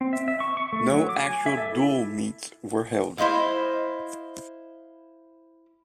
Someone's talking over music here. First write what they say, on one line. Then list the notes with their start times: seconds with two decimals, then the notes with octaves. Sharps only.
No actual dual meets were held.
0.01 C4
0.13 E5
0.28 E5
0.40 C#6
0.57 C#6
0.73 A3
0.91 F#3
1.09 D6
1.23 G#5
1.46 E5
1.57 A4
1.72 E4
3.18 E4 C5 D#5 F5